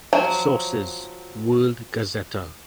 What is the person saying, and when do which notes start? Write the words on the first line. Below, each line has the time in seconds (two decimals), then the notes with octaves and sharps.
Sources : World Gazetter.
0.13 F3 F#3